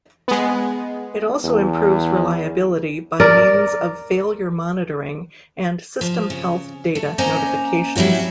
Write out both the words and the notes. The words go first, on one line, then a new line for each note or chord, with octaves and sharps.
It also improves reliability by means of failure monitoring and system health data notifications.
G#3 B3
E2
A#4 D5
F3
C#3
A3
A#3 C#4 C5 D#5 G#5 A#5
F#3 G3 C#4 E4 F#4